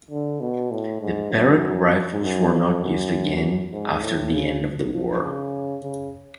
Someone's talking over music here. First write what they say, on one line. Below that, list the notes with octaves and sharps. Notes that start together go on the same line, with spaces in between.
The Parrott rifles were not used again after the end of the war.
D3
B2
A2
G#2
F#2
F#2
F2
F#2
G#2
A2
C#3
F3
C#3
C#3